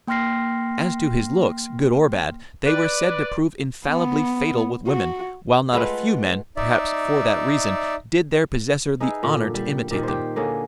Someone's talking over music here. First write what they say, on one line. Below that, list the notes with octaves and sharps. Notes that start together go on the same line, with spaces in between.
As to his looks, good or bad, they were said to prove infallibly fatal with women, while not a few men, perhaps for that reason, did their possessor the honour to imitate them.
A#3 G5 C6 F6 A#6 C7
B4 D5
B3
F#4
G#3 A3 F4 B4 F#5
D#4 D5 E5
D#4 G#4 B4 E5
A#2 D3
G3
A#2 D#3 G3
G4 C5
D3 A#3 C#4 G#4